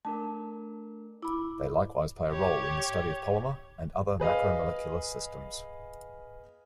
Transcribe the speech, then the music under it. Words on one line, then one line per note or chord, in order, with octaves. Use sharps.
They likewise play a role in the study of polymer and other macromolecular systems.
A3 D4 A#4 A5
E4 B5 D6
G4 C#5
G#4 B4 D#5 F5